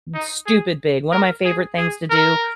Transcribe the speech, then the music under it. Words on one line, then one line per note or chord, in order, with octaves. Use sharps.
stupid big one of my favorite things to do
D#4
G#4
A#4
G#4
G#4
A#4